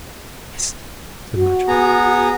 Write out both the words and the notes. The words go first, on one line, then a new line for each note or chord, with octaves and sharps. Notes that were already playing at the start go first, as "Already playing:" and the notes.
"Hist!" said Matcham.
F#4
B3 G#4 A#5